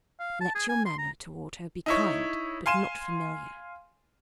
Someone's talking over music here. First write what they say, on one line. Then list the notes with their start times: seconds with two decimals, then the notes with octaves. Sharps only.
Let your manner toward her be kind, but not familiar.
0.19 F5
0.41 A5
0.55 G#4
0.69 G#5
0.85 C6
0.98 A#5
1.86 D#4 E4 C#5
2.66 F5 G#5 C6 D#7 E7